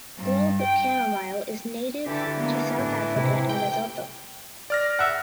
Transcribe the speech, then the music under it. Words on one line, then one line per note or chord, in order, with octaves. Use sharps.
Globe chamomile is native to South Africa and Lesotho.
G2
G5
D3 E3 G4 A4
D3 A#3 B3
A2 D4
C3 E4
A3 G5
D5 F6 A#6
E5 F#5